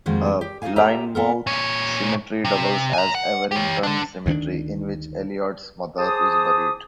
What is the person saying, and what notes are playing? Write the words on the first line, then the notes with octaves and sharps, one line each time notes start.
Lynemouth Cemetery doubles as Everington Cemetery, in which Elliot's mother is buried.
F2 D#3 G3 G#3 A#3 F#4
G4
D#4 F#4 G#4 D5 F5 G#5
B3 G4 A4 E5 A#5
B3 A4 A#4
A#2 C#5
C3
G#5 A#5
F#5
G4 C#5
D3 D4
D2 D#3 B3 D4
G#4 C5 A5 D6 D#6